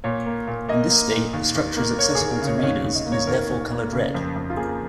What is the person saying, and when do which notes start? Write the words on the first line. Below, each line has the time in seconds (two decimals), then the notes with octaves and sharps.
In this state, the structure is accessible to readers, and is therefore colored red.
0.04 A#2 C#5
0.26 A#3
0.47 A#2
0.69 A#3 D#5
0.90 A#3
1.12 A#2
1.33 D#2
1.55 D#2
1.77 A#3
1.99 A#3 C#5
2.15 D#2 G#4
2.31 A#4
2.42 C#3
2.47 C#5
2.58 D#5
2.63 D#2 C#5
2.79 D#2 C#5
2.95 D#5
3.06 A#3
3.12 C#5
3.27 D#2 A#4
3.49 D#2
3.71 A#3
3.93 C#3
4.14 F2
4.36 F2
4.50 F4
4.57 A#3 G#4